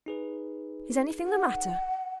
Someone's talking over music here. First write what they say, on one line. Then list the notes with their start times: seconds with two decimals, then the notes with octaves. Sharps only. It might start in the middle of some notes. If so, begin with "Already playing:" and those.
Is anything the matter?'
0.06 D#4 G#4 B4
1.26 F#5